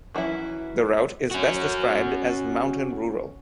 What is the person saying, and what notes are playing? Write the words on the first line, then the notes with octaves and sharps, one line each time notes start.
The route is best described as mountain-rural.
E3 F#3 C#4 E4
C#4 F#4